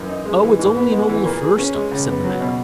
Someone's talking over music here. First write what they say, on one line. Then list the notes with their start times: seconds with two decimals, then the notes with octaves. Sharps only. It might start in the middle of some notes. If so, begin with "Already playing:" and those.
'Oh, it's only an old fir-stump', said the man.
Already playing: F#2 E3
0.09 D#4
0.26 G#3
0.42 E3
0.59 G#2
0.76 B3
0.92 G#3
1.09 E3
1.25 A#2
1.41 G#4
1.58 C#4
1.75 G#3
1.91 C#2
2.08 B3
2.24 F#3
2.40 B2